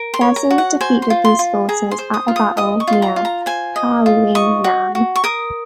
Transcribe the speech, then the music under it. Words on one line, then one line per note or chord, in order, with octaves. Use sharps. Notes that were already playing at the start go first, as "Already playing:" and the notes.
Ghezo defeated these forces at a battle near Paouingnan.
Already playing: A#4
C6
C#5
A#5
F#4
F#5
C5 G#5
C6
F4
C6
F4
G#4 A#5
C6
C5
D#6
F4
D#6
D#5 D#6
C#6
F4
C6
A#5
F4
A#5
C5 G#5
D#5
F4
D#5 C#6
F#4
F#4
C#6
A#4 D#6